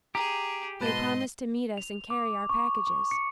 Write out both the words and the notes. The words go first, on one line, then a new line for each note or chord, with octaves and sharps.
"They promised to meet us and carry our packages."
G4 G#4 A#5
G#2 B2 B4 D#5 A5 C6
F7
D6
C#6
C#6
C#7